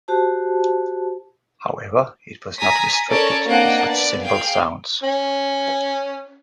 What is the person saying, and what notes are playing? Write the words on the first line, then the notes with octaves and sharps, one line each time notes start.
However, it was not restricted to such simple sounds.
F#4 G4 C5 A5
G#5 A#5 D#6 B6
C#4 A4 A#4 C#5 D5
A#3 C4 D4 D#5 F#5
B3 D5
G#4 F5 G5
C#4